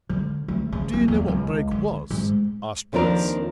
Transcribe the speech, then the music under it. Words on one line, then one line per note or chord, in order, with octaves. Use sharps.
"Do you know what Brake was?" asked Bryce.
D3
D2
C#3
A#3
E2
C#2
D3
G#2
D#2 F3 C4 D4 A#4